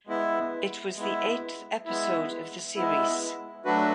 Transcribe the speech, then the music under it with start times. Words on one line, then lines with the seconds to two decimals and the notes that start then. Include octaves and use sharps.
It was the eighth episode of the series.
0.07 G#3 B3 E4
0.97 G#3 B3 E4
1.86 G#3 B3 E4
2.76 G#3 B3 E4
3.65 F#3 A3 D4 F#4 B4